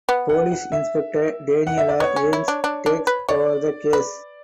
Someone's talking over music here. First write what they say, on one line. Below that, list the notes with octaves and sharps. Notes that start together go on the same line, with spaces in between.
Police inspector Daniela Yanes takes over the case.
B3
F#5
F#5
E5
F#5
E5
D5
B3 C#5
C#4
E4
D4
D4
D4
B4
C#5 D5
B4